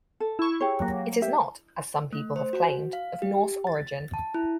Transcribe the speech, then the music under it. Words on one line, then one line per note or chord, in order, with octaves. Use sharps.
It is not, as some people have claimed, of Norse origin.
A4
E4 C#6
G4 G#4 C#5
F#3 A#3
G4 E5
A3
C5
F#4
F5
G4
A6
A5
E4